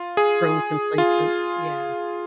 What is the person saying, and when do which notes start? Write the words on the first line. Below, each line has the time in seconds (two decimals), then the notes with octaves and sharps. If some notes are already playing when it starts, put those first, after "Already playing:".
Grown complacent, yeah.
Already playing: F4
0.17 G#4
0.98 F4